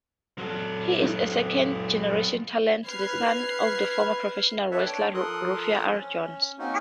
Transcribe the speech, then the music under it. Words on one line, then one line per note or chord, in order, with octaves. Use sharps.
He is a second-generation talent, the son of former professional wrestler Rufus R. Jones.
F#3 A4
B4 F6 G#6 C7
A4 B4 C#5 D5 E5 A5
D4 C#5 G5
F3 A4 A#4 C6 D#6 F#6
C#4
A#3 C4 C#4 D#4 F#4